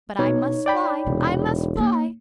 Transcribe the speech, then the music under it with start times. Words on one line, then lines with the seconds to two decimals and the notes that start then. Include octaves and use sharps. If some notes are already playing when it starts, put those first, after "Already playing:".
But I must fly, I must fly!
0.19 B2 D#4 C#5
0.66 D5 G5 B5
1.06 E1 C3
1.76 A#3 D4